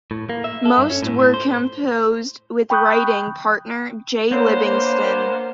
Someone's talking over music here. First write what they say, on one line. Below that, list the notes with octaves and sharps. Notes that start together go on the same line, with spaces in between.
Most were composed with writing partner Jay Livingston.
A2
A#3
E5
A4
G2
C#4
A2
A2
C5
G5 B5 C#6 D#6 F#6 G6
A#3 B3 D4 C5 C#5